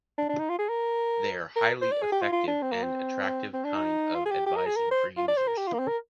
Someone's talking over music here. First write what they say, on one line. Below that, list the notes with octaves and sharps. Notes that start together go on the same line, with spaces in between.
They’re a highly effective and attractive kind of advertising for users.
D4
D4
D#4
F4
G#4
A#4
A#4
C5
D5
G#4
G4
F4
F4
D4
C4
A#3
C4
C4
D4
D#4
F4
G#4
G4
G4
A#4
G#4
A#4
C5
F4
D5
C5
A#4
G4
F4
A#3
C4
A#4